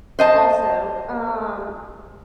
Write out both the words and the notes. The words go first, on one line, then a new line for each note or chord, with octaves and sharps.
Also, um,
C5 D#5 A5